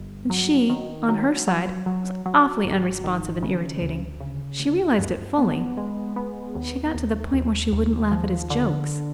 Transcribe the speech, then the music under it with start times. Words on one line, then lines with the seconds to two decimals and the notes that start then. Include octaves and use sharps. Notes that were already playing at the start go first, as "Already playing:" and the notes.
And she, on her side, was awfully unresponsive and irritating,--she realized it fully,--she got to the point where she wouldn't laugh at his jokes.
Already playing: G1
0.30 F#3
0.69 D#3
1.09 F#3
1.48 F#3
1.86 F#3
2.26 F#3
2.65 G#1
3.04 D#3
3.42 C#3
3.82 D2
4.20 C#3
4.60 D2
4.99 G2
5.38 B3
5.77 G#3
6.16 B3
6.55 D#2
6.95 D#2
7.33 D#2
7.73 D#2
8.12 F3
8.50 D3